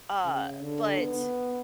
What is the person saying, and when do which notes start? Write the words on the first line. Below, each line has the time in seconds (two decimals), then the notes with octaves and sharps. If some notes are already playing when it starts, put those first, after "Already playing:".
Uh, but
0.25 C#3
0.61 D3
0.99 B3